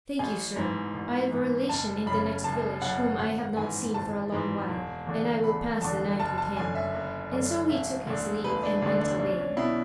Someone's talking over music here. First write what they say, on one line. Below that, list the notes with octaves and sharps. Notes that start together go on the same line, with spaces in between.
"Thank you, sir: I've a relation in the next village whom I have not seen for a long while, and I will pass the night with him;" and so he took his leave, and went away.
A1 G#5
G#2 E3
A1
G#2 E3
F#1 A5
F#2 C#3 B5
F#1 A5
F#2 C#3 F#5
G#1 F#5
G#2 E3 G#5
G#1 A5
G#2 E3
E1
E2 D3
E1 B5
E2 D3 A5
F#1 A5
A5
F#2 D3 G#5
E5
F#1
F#2 D3
E1 E5
D2 D3
E1 B4
D4
D2 D3 D4
D4
B1 D4
C#4
B2 E4